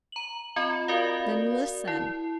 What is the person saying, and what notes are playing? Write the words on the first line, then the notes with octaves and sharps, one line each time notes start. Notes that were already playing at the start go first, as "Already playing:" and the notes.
"Then, listen!"
A#5 F#7
C4 F4 D#5 B5
F#4 A#4 D5 F5
E4